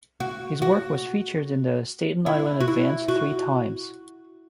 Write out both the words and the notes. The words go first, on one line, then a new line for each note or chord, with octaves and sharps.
His work was featured in the "Staten Island Advance" three times.
F#4
F#4
E4
F#4
E4
F#4